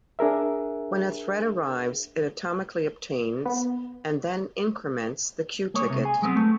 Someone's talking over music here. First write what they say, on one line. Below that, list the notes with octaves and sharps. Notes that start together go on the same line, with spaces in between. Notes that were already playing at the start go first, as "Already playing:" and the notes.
When a thread arrives, it atomically obtains and then increments the queue ticket.
D4 G#4 A#4 E5
B3
G#3 A#3 C#5
C3
G#4 G#5
F#3 G#3 B3 C4
A3